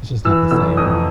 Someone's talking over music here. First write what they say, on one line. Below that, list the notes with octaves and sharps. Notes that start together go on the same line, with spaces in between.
It's just not the same.
E3 E6
F1 E6
F2 D#6